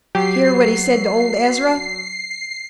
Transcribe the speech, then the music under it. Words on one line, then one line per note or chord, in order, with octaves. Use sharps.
Hear what he said to old Ezra?
F#3 G4 C7